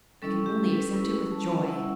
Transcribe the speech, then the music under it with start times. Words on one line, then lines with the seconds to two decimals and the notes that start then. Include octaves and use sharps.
I can only accept it with joy.'
0.22 G3 C#4 E4 A4
0.46 G4
0.71 B4
0.95 G3 C#4 E4 B4
1.31 A5
1.63 E5
1.68 G3 C#4 E4 F#5